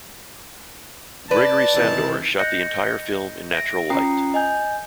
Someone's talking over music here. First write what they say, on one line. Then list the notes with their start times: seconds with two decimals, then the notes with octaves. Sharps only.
Gregory Sandor shot the entire film in natural light.
1.31 B4 D5 A5
1.74 C3 D#3 E3
2.39 D#5 F#6 G6 A#6 C#7
3.53 E5 A#6 D7
3.90 C#4 F4 G5 A#5 D#6 C7
4.34 D#5 G#5 G6